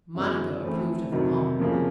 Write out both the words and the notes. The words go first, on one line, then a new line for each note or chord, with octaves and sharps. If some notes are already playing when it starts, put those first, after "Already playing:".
Monica approved of them all.
F#2 C#3 F#3 B3 E4
E3 A3 C4
F2 C3 D#3 F#3
F2 C#3 F3 A#3